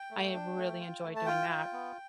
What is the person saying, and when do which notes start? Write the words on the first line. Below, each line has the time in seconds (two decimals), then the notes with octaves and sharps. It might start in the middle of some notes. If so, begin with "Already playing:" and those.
I really enjoy doing that,
Already playing: G5
0.11 A3
0.34 D4
0.57 A3
0.80 F4
1.03 A3
1.16 A5
1.26 F4 G5
1.49 F4
1.73 B3